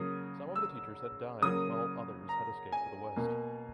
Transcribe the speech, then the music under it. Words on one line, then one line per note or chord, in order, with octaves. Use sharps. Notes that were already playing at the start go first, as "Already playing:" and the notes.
Some of the teachers had died while others had escaped to the west.
Already playing: C#3 F#3 A#3 D#6
E6
C#3 F#3 A#3 D#6
A#5
G#5
B2 A#3